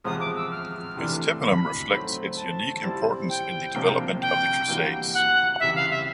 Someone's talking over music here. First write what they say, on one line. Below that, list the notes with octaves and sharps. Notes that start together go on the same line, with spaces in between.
Its tympanum reflects its unique importance in the development of the Crusades.
E2 C3 F3 G#3 D#6
D6
E6
F6
C3 E3 A3 D4
B5
D#3 F#3 A3 C4
A5
G3 C4 E4
G5
C2 C3 F3 A#3 D4
G5
E3 G3 A#3 D4 F#4
F#5
C#2 C3 E3 G3 E5
F5
E5